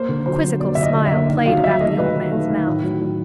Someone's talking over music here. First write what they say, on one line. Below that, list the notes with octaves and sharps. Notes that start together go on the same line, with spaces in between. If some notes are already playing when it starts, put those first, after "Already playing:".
A quizzical smile played about the old man's mouth.
Already playing: A#3 C5
D3
F#3 C5
F#3
A#3 D5
D3 E5
D#5
D3
E5
A#3
D#3
F#3 F5
D#3 E5
A3 D#5
F#3 B4
D#3
A3
D#3
A2
F#3
A2